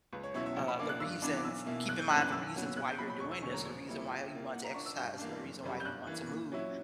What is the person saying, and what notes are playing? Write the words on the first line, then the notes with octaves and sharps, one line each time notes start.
uh, the reasons keep in mind the reasons why you're doing this, the reason why you want to exercise, the reason why you want to move,
C#2 B4
C#5
B2 F#3 C#4 E4 C#5
E5
A#1 G5
B5
A#2 A#3 D4 D6
F#6
G2 E6
E3 B3 D4 D6
D6
B1 E6
B2 A#3 E4
F#1 F#6
G6
F#2 C#3 E3 A#3 F#6
F#6
B1 E6
A#2 F#3 B3
A#1 F#6
G6
A#2 F#3 B5
B5
E1 C#6
E6
E2 D3 F#3 A#3 C#6
A#5
A#1
A#2 G3 A#3 E4
A#2 G5
A#3 E4
A#2 F#5
A#5
A#3 D4 C#6
E6
G2 G6
E3 A#3 D4
F#1
F#2 C#3 G3
G6
G2 F#6
E3 A#3
A#2
F#3 C#4 E4